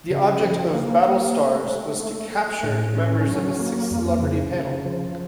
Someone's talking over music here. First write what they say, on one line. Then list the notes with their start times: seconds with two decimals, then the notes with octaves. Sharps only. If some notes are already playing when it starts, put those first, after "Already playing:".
The object of "Battlestars" was to "capture" members of a six-celebrity panel.
0.10 C#3
0.42 F3
0.74 A#3
1.05 A#3
1.37 A3
1.68 A3
2.00 A3
2.32 A3
2.63 A2
2.96 C#4
3.27 F#3
3.59 A#3
3.91 F2
4.22 C#3
4.53 C#3
4.85 F3